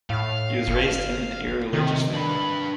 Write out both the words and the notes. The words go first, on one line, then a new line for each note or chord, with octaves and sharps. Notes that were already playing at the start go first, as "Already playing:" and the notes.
He was raised in an irreligious family.
A2 F5
G1
C3 D#3
D4 B4